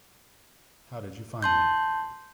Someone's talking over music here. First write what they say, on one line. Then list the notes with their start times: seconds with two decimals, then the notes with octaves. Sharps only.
How did you find me?
1.42 A5 C6 G6